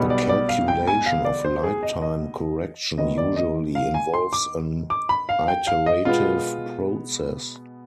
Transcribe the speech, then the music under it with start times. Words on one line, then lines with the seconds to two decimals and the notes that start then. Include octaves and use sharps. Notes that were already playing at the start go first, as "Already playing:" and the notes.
A calculation of light-time correction usually involves an iterative process.
Already playing: B1 B2 G3 B3
0.10 D5
0.29 D5
0.49 F5
0.68 G5
0.87 G#5
1.06 F5
1.25 D5
1.44 C5
1.63 G#4
1.83 D#5
2.02 D#5
2.98 D#2 D#3 B3 D#5
3.18 D5
3.36 D#5
3.75 F5
3.94 G#5
4.14 C6
4.33 D6
4.90 D6
5.09 B5
5.29 F5
5.48 G5
5.67 F5
5.86 D#5
6.05 B2 G#3 B3 F4